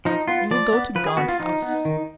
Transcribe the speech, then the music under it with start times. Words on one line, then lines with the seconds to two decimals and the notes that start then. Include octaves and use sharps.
You will go to Gaunt House.
0.05 F3 D#4
0.28 B3 F4
0.51 F3 D5
0.73 B3
0.95 F3 B4
1.07 G#4
1.17 B3 F#4
1.29 F4
1.40 F3 D#4
1.62 B3
1.85 D#3